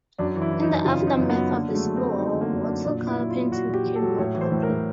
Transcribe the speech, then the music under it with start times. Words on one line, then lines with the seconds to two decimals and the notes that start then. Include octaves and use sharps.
In the aftermath of the Civil War, watercolor painting became more popular.
0.19 F#2 D4
0.35 E3
0.42 E4
0.52 E3
0.63 D#4
0.69 F#2
0.85 C#3 F4
1.03 C#3 D#4
1.18 F#2
1.30 B3
1.36 F#2
1.52 D3 A#3
1.69 F#3 G#3
1.75 A3
1.85 F#3
1.96 C4
2.02 F#3
2.19 F#3 D#4
2.35 D3
2.41 A#3
2.52 F#2
2.64 D4
2.69 F#3
2.85 A#2 D4
3.02 A#2 E4
3.18 F#3
3.30 F4
3.35 F#3
3.51 A#2 F#4
3.68 A#2
3.74 G4
3.86 F#3
3.96 A4
4.02 F#3
4.18 A2 C#5
4.35 E3
4.41 C5
4.52 A2
4.63 A#4
4.69 A2